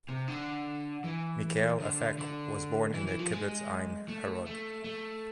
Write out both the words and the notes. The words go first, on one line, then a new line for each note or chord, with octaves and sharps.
Michal Afek was born in the Kibbutz Ein Harod.
C3
D3
E3
D3
D3
E3
E3
F3
G#3
A3
A3
A3